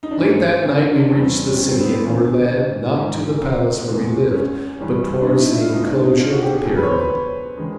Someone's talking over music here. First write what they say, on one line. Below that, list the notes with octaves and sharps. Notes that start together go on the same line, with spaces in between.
Late that night we reached the city and were led, not to the palace where we lived, but towards the enclosure of the pyramid.
D#4
D4
G#2 E3 G#3 C#4
C4
D4
C#4
D4
E2 C#3 E3 G3 C4
C#4
C4
C4
B3
C4
D2 C3 D#3 C#4
G#2 E3 G#3
C4
E2 C3 E3 G#3
C#4
G2 E3 G3
D4
D#4
E4
E4
F4
C#2 B2 G#3 D#4
D4
D#4
F4
F#4
G4
G#4
C#2 B2 F#3 A4
B4
C#5
C5
B4
D#3 G#3